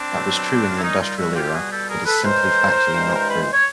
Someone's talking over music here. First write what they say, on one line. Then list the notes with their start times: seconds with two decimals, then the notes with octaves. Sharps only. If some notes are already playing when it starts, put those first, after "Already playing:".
That was true in the industrial era; it is simply factually not true.
Already playing: C4 D4
0.11 B2 F#3 A3
0.54 G4
0.61 F#4
0.68 F4
0.75 E4
0.82 A#2 G3 C#4 D#4
1.00 D#4 F4
1.17 E4 F#4
1.35 F4 G4
1.53 B2 G3 F#4 G#4
1.71 G4 A4
1.88 G#4 A#4
2.06 A4 B4
2.23 A2 E3 G#3 A#4 C5
2.94 G2 E3 G#3
3.14 A#4
3.27 B4
3.40 C5
3.53 C#5